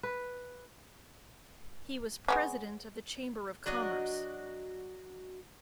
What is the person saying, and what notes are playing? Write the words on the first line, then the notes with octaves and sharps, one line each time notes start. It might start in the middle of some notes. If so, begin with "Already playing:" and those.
He was president of the Chamber of Commerce.
B4
G#3 B3 C#4
F#3 D4 F#4 D#5